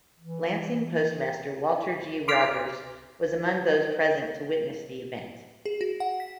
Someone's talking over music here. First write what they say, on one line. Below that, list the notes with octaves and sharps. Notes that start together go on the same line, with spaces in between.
Lansing postmaster Walter G. Rogers was among those present to witness the event.
E3
C6 D6 F6 B6
G#4
F#4
F#5
B6